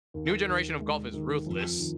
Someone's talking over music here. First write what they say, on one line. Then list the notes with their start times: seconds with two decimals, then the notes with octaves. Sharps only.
New generation of golf is ruthless.
0.14 D#2
0.48 D#2
0.80 G#3
1.14 D#3
1.46 F2
1.79 D#3